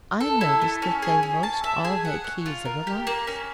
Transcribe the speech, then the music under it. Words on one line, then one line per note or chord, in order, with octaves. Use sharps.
I noticed that they most all had keys in the locks.
A4
E4
A3
C#4
G#4
C#4
A5
E5
G#4
F#5
C#5
F4
A#4
G4
A#3
C#4